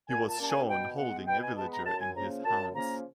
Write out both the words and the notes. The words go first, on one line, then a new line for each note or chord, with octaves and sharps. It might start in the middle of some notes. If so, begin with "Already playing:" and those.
He was shown holding a villager in his hands.
A#2 G#5
A5
G3 A#3 C#4 A5
G#5
B2 G5
G#3 B3 F#5
B2 G5
G#5
G#3 B3 A5
A#5
F#2 A5
G#5
C#3 F3 A#3 C#4 A#5
F#2 A5
C#3 F3 A#3 C#4 A#5